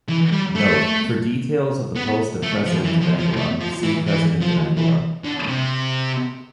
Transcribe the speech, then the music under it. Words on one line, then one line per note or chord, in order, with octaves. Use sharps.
"Note:" For details of the post of President of Angola, see President of Angola.
E3
G3
A3
B3
A3
F3
E3
F3
F3
A3
F3
E3
E3
F3
E3
D3
C3